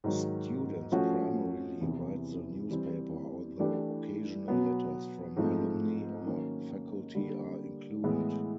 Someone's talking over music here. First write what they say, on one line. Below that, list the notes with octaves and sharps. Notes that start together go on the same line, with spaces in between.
Students primarily write the newspaper, although occasional letters from alumni or faculty are included.
G#2 D#3 F#3
F3 A3 C#4 F#4
E2 C3 E3
E3 G3 C4
E3 A3 D4 G4
B2 F#3 B3
G#2 F3 A3 C4
D#3 F#3 A#3 C#4
D3 G3 A#3
A2 E3 G#3 B3